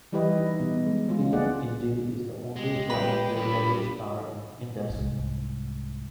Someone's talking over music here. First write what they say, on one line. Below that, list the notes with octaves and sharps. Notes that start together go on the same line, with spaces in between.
T Indi is the only bright variable star in Indus.
E3 G3 E4 G4 B4 D#5
D#4
B2
G#3
F#3 G#3 F4
A#3 B3 G#4 D5 F#5
G#3 G4
B4 G5
G3 D4 B5
C2 G#2